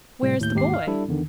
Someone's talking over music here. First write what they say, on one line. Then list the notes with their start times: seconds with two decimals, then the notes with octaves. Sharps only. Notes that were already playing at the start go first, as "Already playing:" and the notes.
"Where is the boy?"
0.23 A2 C3 G3
0.39 D#2 A2 G6
0.54 G1 D#2 G#2 D#4 G4 C7
0.74 F5
0.87 G3 D4 E4 A4
1.08 E2 D3 D#3